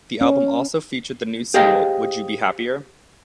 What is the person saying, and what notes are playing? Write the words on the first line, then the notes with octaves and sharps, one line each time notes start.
The album also featured the new single Would You Be Happier?
C#4
G4 G#4 C5 D#5 F5 G5